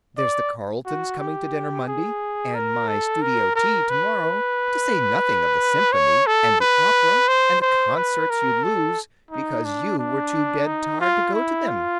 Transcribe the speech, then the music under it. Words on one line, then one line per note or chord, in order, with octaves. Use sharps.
There's the Carletons coming to dinner Monday, and my studio Tea to-morrow, to say nothing of the Symphony and the opera, and the concerts you'd lose because you were too dead tired to go to them.
D5
F#4
G4
G#4
A#4
A4
A#4
A#4
B4
C#5
A4
B4
C5
C5
B4
A#4
A4
D#4
D4
D4
D#4
F4
E4
F4